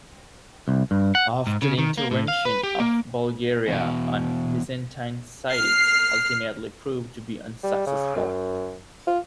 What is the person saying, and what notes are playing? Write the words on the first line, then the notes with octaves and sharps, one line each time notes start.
After the intervention of Bulgaria on Byzantine side it ultimately proved to be unsuccessful.
C2
G2
F#5
G#2
C#3
D#3
A#3
A2
F5
B4
G4
A#3
E2 B2
F6 C7
G3
C#3
F#2
F4